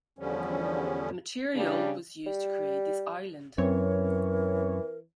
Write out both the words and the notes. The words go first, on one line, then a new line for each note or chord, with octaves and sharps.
The material was used to create this island.
E2 D3 F3 G3 C#4
C#3 G3 D4
G3
F#2 E3 C4 A#4 C#5